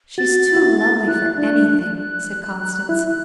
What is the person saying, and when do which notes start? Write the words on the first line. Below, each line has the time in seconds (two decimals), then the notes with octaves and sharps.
"She's too lovely for anything!" said Constance.
0.18 F#4 A6
0.57 F#4
0.63 E4
1.08 E4 F#6
1.38 D4 F#6
1.67 F#6
1.98 F#6
2.89 E4